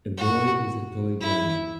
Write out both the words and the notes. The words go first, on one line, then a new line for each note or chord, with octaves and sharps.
A boy with a toy gun.
F#4
E4